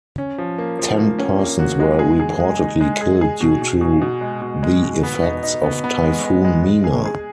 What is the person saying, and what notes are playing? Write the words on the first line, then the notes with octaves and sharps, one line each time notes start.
Ten persons were reportedly killed due to the effects of Typhoon Mina.
C#4
F3
A#3
F3
A#3
C#4
A#3
F#4
G#3
G#4
G#4
G#3
D#4
G#3
G#4
G#4
B2
B2
B2
B2
G#3
B2
G#3
B2
B3
D#4
D#4
B3
B3
G#3
G#3
G#3
G#3
G#4
G#4